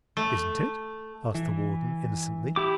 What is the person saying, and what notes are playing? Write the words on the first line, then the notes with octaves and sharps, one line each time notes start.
"Isn't it?" asked the warden, innocently.
A3
E3
E4 G4 D6